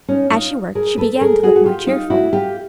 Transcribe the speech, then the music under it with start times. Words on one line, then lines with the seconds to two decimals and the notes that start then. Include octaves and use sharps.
As she worked she began to look more cheerful.
0.08 C#4 D#4
0.31 D#4 F4
0.75 G#4 A#4
0.98 A4 B4
1.21 G#4 A#4
1.43 F#4 G#4
1.56 F#4
1.65 F4 G4
1.87 D#4 F4
2.10 E4 F#4
2.33 F4 G4